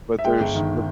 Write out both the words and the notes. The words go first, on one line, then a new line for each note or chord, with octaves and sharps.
but there's, but
E5
G#3 G5
G1
D#3